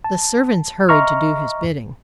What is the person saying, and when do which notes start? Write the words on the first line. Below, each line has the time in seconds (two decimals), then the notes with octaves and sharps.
The servants hurried to do his bidding.
0.04 A5
0.89 D#5 E5 A#5 C6 C#6 F6